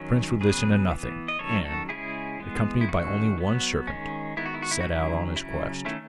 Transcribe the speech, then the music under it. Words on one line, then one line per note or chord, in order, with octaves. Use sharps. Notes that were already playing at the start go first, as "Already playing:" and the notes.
The prince would listen to nothing, and, accompanied by only one servant, set out on his quest.
Already playing: D#3 F#3 C#4
C#3 F#3 B3 G#4 B4
E3 B3
D#5
D#3 F#3 C#4 A4 C#5
F#4 A4
C#3 G#3 C#4 E4 G#4
E3 G#3 B3
E4
D#3 A3 C#4 F#4
F#3 B3
D#3 G#3 C#4
D#3 G#3 B3 E4
F#4
E4
F#4
E4
F#4
D#3 F#3 C#4 E4
C#3 F#3 C#4 E4
D#3 A3 C#4 E4